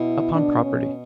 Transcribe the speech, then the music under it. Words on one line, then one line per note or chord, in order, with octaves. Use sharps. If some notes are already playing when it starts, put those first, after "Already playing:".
Upon property.
Already playing: B2 E4
D4
C#4